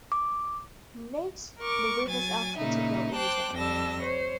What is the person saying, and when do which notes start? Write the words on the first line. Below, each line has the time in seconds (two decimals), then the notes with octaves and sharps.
Note the reverse alphabetical order.
0.12 D6
1.59 A#4 C#6 D6
2.07 F#3 G#5 A6
2.57 A#2 C#3 D#4 E4
3.15 C5 G5 A5 D6 F#6
3.56 F2 G3 A5 E6 A#6
4.02 C5 C#5